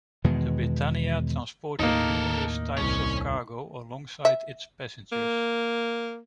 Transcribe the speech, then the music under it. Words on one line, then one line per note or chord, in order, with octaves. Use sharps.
The Britannia transported numerous types of cargo alongside its passengers.
E2 B2 D#3 G#3
D#2 A2 A#3 D#4 A4 A#4
C2 C#4 C#5
E5
A#3